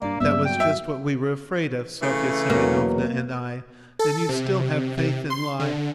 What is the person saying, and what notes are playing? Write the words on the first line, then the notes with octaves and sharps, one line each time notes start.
That was just what we were afraid of, Sofya Semyonovna and I. Then you still have faith in life?
G2 A#3 D4 D5
G2 F#3 A#3 B3 D5 E5
F#4 G5
E5
C#3 E3 A3
E2 B2 F#3 A#3
A4
C3
C3
C6
D3